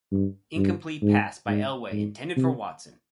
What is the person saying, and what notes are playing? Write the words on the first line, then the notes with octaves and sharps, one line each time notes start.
Incomplete pass by Elway, intended for Watson.
G2
G2
G#2
G#2
G#2
C3